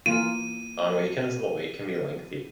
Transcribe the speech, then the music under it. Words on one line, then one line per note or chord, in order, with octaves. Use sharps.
On weekends the wait can be lengthy.
E3 A#3 F4 D#7